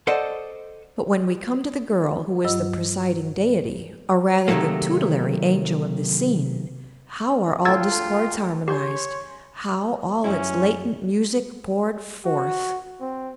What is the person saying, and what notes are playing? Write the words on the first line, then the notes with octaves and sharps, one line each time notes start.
But when we come to the girl who is the presiding deity, or rather the tutelary angel of the scene, how are all discords harmonized; how all its latent music poured forth!
A4 C5 D5 D#5 F#5 A5
G2 F#3 F4 D#5 E6
C3 D#3 E3 F#3 A3 A#3
D2 F4 A4 G5 E6 G#6 A6
G4 C#5 G#5 C6 G6
F#2 F#3 C#4 E4
F#4
C4